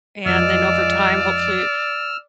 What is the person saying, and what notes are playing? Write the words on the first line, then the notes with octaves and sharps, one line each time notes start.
and then over time, hopefully,
F2 F3 G#3 F4 D5 D#5 E6 F6